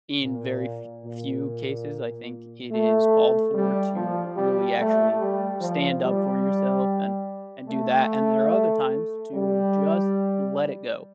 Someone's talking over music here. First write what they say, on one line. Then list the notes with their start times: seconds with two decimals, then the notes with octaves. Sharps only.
in very f few cases, I think it is called for to really, actually stand up for yourself and and do that and there are other times to just let it go,
0.21 A#2
1.05 A#2
2.71 A3
3.54 G3
3.95 F3
4.36 G3
4.79 A3
5.20 G3
5.60 F3
6.03 G3
7.68 A3
9.34 G3